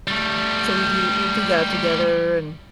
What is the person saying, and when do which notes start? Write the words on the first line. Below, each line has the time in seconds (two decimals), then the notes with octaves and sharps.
so we do we'll do that together, and
0.08 G3 A3